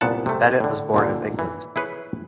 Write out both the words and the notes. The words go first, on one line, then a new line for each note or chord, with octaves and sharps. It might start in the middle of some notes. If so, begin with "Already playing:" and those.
Bennett was born in England.
C2 A#2 B3 F#5 A5
C3 A3
A2 D3
D#2 A#2 D3
E3
E4 G#4 B4 C#5